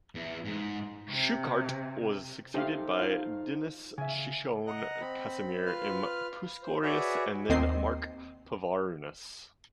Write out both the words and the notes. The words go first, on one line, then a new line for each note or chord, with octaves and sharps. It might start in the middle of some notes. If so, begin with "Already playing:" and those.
Schuckardt was succeeded by Denis Chicoine Casimir M. Puskorius and then Mark Pivarunas.
E2
G#2
C3
D#4 G4 A4 C5 E5 F5
F4 F5
C#3 E5 G#5
D#5 F#5 A#5
C4 B5
F4 B4 F6
C5
F#4 G#4 B4 C#5 D5 E5
D#2 D#3 C4 D#5 C7